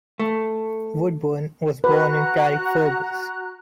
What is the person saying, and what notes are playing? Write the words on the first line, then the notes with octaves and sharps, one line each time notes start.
Woodburne was born in Carrickfergus.
A3
F#4 B4 A#5 F#6